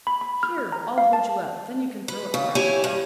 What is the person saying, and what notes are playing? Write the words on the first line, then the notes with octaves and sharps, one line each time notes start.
Here, I'll hold you up, then you can throw it farther.
B5
B5
F6
F6
A#5
F5
A5
B4
C#3
E4 G4 C#5 G#5
G2